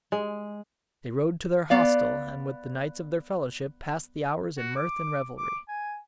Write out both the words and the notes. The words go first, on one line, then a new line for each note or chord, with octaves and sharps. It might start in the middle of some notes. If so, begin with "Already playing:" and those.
They rode to their hostel, and with the knights of their fellowship, passed the hours in mirth and revelry.
G#3
B3 D5 F5
F#4
D6
D6
G#5